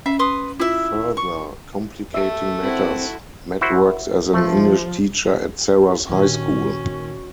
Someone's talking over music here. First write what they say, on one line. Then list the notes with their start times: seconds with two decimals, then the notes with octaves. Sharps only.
Further complicating matters, Matt works as an English teacher at Sarah's high school.
0.06 C#4 E5
0.19 B4 C6 D#6
0.60 E4 F4 E5
1.17 C#6
2.14 A3 E5
2.61 C4 E4 F#4
3.61 E4 F#4 C5
4.33 F3 A3
6.10 A#2 D#3 C#4 F#4